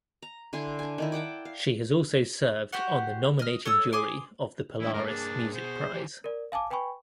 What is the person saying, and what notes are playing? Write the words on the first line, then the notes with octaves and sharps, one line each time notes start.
She has also served on the nominating jury of the Polaris Music Prize.
A#5
D3 E4 G#5 C6
D4 G#5
D#3 D#4 E4
D5 F#5 G5 A5
F5
F#4 G4 C5 F#5
D#5 F6
A4 C#5 D#6 E6
G#5 C6 D6 D#6
E3 G#3 D4 E4
G2 A#3 A#4
D4 G#4
B2 C5
E3 F#3 G4
A#4 D5
F5 G#5 A5 D6
B4 G5 G#5 B5 C#6